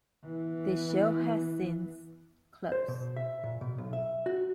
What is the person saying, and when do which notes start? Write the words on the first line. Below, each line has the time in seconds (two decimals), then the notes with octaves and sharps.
The show has since closed.
0.25 E3 B3
2.72 C5
2.88 B2
3.17 E5
3.43 A#2
3.61 B2
3.78 B1
3.93 E5
4.26 F#4